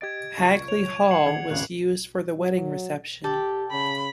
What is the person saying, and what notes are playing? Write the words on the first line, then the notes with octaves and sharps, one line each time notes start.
Hagley Hall was used for the wedding reception.
G4 D#5 G#6 A6 D7
C#2 C#6
C#5 F7
F#5 C7 C#7 F#7
D#3 G#4 D5 G#6
D#1 G#1 C#3 F#6
F#3
G4 A4 D5 G5
C#3 B5